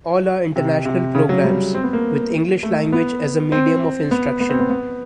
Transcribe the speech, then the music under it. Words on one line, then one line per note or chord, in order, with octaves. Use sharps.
All are international programs, with English language as a medium of instruction.
C3
C3
C#3
F#3
G3
C4
B3
A#3
A3
B3
C4
B3
B3
C4
B3
B3